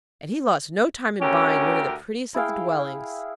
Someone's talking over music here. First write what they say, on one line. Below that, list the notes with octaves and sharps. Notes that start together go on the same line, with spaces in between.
And he lost no time in buying one of the prettiest of the dwellings.
D2 C#4 G4 A#4
E4 G#4 F5 G5